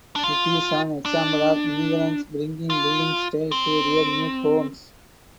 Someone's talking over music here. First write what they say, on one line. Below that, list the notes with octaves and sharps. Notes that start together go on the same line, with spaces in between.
It is an example of immigrants bringing building styles to their new homes.
D4
F4
D4
F4
C4